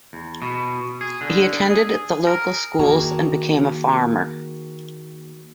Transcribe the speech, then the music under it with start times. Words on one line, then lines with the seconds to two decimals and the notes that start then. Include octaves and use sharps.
He attended the local schools and became a farmer.
0.13 E2
0.42 B2
1.01 G#4
1.21 D3
1.70 G#4
2.27 A#4
2.79 D#3 A#3 F#4 G#4 A5 A#5